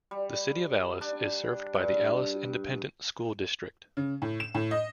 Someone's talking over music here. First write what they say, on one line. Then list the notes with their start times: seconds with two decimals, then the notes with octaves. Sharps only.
The City of Alice is served by the Alice Independent School District.
0.11 G3
1.01 D4
1.74 G2
3.97 C#3
4.22 A2
4.40 E7
4.55 A2
4.71 D#5